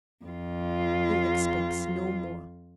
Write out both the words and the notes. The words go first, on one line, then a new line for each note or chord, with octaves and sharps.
"He expects no more."
F2 F4